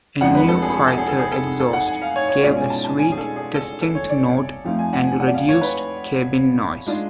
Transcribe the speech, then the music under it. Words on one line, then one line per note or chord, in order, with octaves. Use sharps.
A new quieter exhaust gave a sweet distinct note and reduced cabin noise.
F2 F3 G#3 D4 F#5
B4
A4
G#4
G#4
A4
G#4
A4
G#4
A4
A4
F#5
G#5
F5
C#5
C#5
B2 G#3 C#4 F4 D5
G#5
A5
A5
G#5
G#4
A4
G#4
A4
A4
C#5
D5
F2 F3 A3 F5
G#5
F#5
G#5
F#5
D5
F5
C#5
B4
G#3 D4 F4